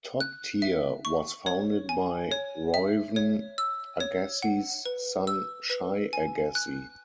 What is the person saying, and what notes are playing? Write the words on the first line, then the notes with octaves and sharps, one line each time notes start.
TopTier was founded by Reuven Agassi's son Shai Agassi.
F#6
E5
C#6
C#5
G#5
C#5
E5
C#5
E6
C#5
F#5
B4
E6
B4
G#5
F#6